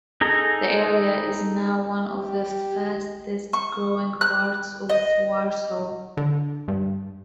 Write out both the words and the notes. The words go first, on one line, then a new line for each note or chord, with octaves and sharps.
The area is now one of the fastest-growing parts of Warsaw.
D#4 G#4 A4 A#5
G4
C#6
F#6
D#5
D3
G2